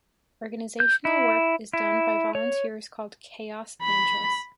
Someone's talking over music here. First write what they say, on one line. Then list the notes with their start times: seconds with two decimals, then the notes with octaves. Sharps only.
Organizational work is done by volunteers called "Chaos Angels".
0.80 G6
1.05 E4
1.73 E4
2.35 C#5
3.83 B5